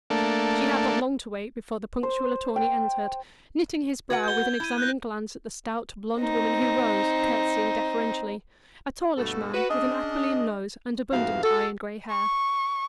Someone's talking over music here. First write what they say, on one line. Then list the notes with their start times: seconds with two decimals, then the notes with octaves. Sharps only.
She had not long to wait before the punctual attorney entered, knitting his brow with an examining glance at the stout blond woman who rose, curtsying deferentially,--a tallish man, with an aquiline nose and abundant iron-gray hair.
0.10 A3 A#3 D4
2.03 C5
2.56 G5
4.10 F#4 B4 F#5 G#6
4.24 G6 G7
4.60 E4 G#6 D#7
4.78 F#6 G6 A#6
6.19 C4 D#4
9.18 G2 B2 A3 F#4 A4
9.54 F#4 B4
9.69 C#4 D4 G#4 D#5
11.11 F2 G#2 B2 E3 F#4 F5
11.43 F#4 A4
12.10 C#6